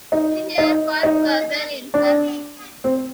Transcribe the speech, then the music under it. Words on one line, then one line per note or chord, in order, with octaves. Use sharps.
See here for further information.
D#4
D#4
D#4
D4
C4